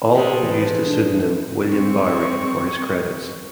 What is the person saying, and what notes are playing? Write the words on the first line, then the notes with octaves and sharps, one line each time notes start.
Alwyn used the pseudonym William Bowery for his credits.
F3 G#3 A3
E3 B4
D4
C4 C#6